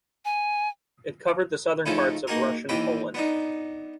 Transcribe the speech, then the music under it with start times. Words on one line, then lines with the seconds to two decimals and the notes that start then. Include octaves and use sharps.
It covered the southern parts of Russian Poland.
0.25 G#5
1.86 C#3 F3 A3 C#4 D#4 E4
2.27 A#3 D#4 F#4 G#4 A#4
2.69 D#2 E3 D#5 G5 B5 D6
3.14 B3 D4 D#4